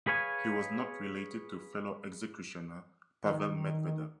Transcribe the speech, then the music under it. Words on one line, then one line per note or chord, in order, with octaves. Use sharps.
He was not related to fellow executioner Pavel Medvedev.
G#4 B4 C#5 F5 G#5
D#3